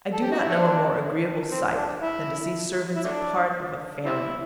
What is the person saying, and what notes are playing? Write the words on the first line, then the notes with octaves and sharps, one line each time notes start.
I do not know a more agreeable sight than to see servants part of a family.
A4
G4
F#4
E4
F#3 A3 D4
C4
D4
E4
E4
F#3 A3 D4
G3 C4 E4